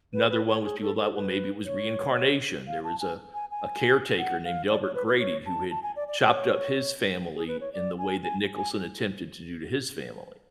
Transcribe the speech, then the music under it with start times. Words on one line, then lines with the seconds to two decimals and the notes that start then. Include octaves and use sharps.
Another one was people thought, "Well, maybe it was reincarnation." There was a a caretaker named Delbert Grady who had chopped up his family in the way that Nicholson attempted to do to his family
0.14 B4
0.30 B4
0.47 C#5
0.64 G#4
0.81 A4
0.98 A4
1.15 B4
1.66 C#5
2.67 F5
2.84 A5
3.00 G#5
3.34 G#5
3.51 G#5
4.19 F#5
4.45 F5
4.69 D5
4.82 C#5
4.95 B4
5.07 B4
5.19 C#5
5.46 A5
5.71 A5
5.83 G#5
5.96 D5
6.08 D5
6.21 C#5
7.35 G#4
7.48 B4
7.61 C#5
7.73 D5
7.98 G#5
8.23 G#5
8.57 G#5